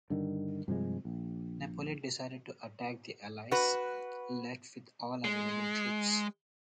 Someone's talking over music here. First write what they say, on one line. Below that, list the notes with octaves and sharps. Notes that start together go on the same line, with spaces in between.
Napoleon decided to attack the allies' left with all available troops.
G2 D3 D#3
G2 C3 F3 G#3
A#1
F#4 B4
G#3